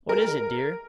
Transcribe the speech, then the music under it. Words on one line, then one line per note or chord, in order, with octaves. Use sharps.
"What is it, dear?"
A#4